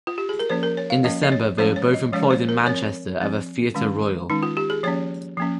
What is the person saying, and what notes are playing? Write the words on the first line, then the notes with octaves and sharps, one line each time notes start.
In December they were both employed in Manchester at the Theatre Royal.
F4
G4
G#4
A#4
F3 A#3 C#4 C5
A#4
C#5
F5
F3 A#3 C#4 D#5
D#5
C#5
F3 G#3 C#4 C5
C#5
D#5
F3 G#3 C#4 C#5
C5
A#4
F3 C4 C#5
F3 C4
D#3 G#3 C#4
D#3 G#3 C#4 D#4
F4
G4
G#4
F3 A#3 C#4 C#5
F3 A#3 C#4